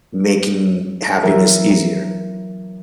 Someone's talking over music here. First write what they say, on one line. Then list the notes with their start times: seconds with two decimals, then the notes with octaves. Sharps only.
making happiness easier,
1.23 E3 F#3 A#4 E5